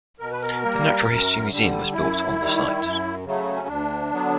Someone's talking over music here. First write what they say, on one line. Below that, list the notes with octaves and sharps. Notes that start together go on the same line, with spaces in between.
The Natural History Museum was built on the site.
B2 A#4
B4
A#4
G3 A#3
F#2
D3 G3
F#2 E4
D#3 G3
F#2
C#3 F#3 A3
C#4
D2 D4
D3 F#3 B3